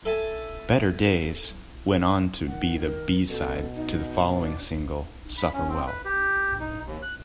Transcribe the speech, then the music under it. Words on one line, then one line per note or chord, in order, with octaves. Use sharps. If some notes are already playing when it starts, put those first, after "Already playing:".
"Better Days" went on to be the B-side to the following single, "Suffer Well".
A4 E5 G#5 A5
D#3 F#5
A#4
B2 A4
D#4
D4
B5
C#4
C4
B4
G4
D#4
D#2
F#6